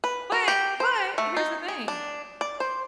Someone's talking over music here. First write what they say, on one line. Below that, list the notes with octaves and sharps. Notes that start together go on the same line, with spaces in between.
But but here's the thing,
B4
F#4
G4
C5
A3
D#4
G#4
D4
D5
C5